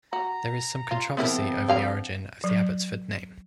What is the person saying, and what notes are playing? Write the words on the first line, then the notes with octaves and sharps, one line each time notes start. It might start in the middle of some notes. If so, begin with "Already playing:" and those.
There is some controversy over the origin of the Abbotsford name.
F#4 A#5
F4
C#3 F3 B3 C4 E4 A#4
D3 F5 A#5
F#3